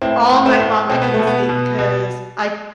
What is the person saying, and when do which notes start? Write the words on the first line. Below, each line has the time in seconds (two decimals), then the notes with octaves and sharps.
All night long, I couldn't sleep because I c
0.02 A2 C4 E4
0.31 A2
0.46 A3 C4
0.60 A2
0.90 B2 C4
1.02 B3
1.14 A3
1.19 B2
1.27 B3
1.49 B2
1.79 B2